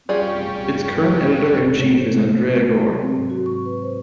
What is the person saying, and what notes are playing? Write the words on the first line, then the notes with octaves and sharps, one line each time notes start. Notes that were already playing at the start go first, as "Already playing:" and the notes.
Its current editor-in-chief is Andrea Gore.
G3 C#4 F4 G#4 D5
C#5
C5
C3
G#3
F#3
C4
G#2
F#4
C#6
B4
C5